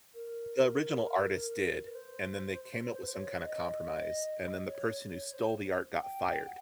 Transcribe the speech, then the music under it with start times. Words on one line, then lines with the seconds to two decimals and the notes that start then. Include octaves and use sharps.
The original artist did, and then they came up with some kind of compromise, and then the person who stole the art got fired,
0.14 A#4
1.85 B4
1.95 C5
2.84 B4
2.93 C5
3.02 B4
3.08 C5
3.14 C#5
3.44 D#5
4.66 C#5
4.88 C#5
5.11 C#5
5.33 C5
5.94 F#5
6.01 G5
6.46 F#5